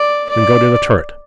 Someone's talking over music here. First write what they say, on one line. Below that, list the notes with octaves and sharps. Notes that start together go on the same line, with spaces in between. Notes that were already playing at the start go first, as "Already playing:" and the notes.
Then go to the turret.
Already playing: D5
D5